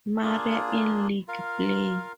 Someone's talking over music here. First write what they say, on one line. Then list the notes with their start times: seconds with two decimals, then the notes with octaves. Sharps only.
Marie in league play.
0.23 A#3 D4 F4 G#4
1.28 F4 A#4 F5